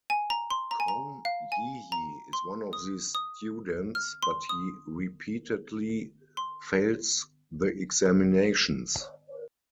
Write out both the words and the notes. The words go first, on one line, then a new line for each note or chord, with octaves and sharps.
Kong Yiji is one of these students, but he repeatedly fails the examinations.
G#5
A#5
C6
A#5
G#5
A#5
F5
G#5
A#5
C6
D#6
D#6
F6
C6
D#6
C6